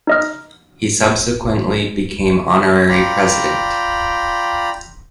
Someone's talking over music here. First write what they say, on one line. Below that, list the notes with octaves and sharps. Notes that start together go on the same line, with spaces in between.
He subsequently became Honorary President.
D#4 D#5 F6
F4 D5 G5 A#5 B5